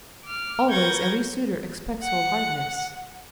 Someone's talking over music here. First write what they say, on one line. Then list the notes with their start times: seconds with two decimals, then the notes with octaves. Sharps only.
Always every suitor expects whole heartedness.
0.24 D6 F6
0.70 A#4 B4 C#6 G6 G#6 A#6
2.03 F#5